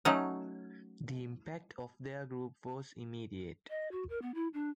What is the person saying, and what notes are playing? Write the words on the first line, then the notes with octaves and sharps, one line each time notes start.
The impact of their group was immediate.
F#3 A3 C#4 D#4 F#5
D#5
F#4
A#4
B3
E4
D4